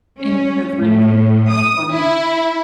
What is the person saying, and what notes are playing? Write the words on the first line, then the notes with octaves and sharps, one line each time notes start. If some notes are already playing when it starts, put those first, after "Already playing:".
And you couldn't find ‘em? How funny.
C#4
A2
D#6
E4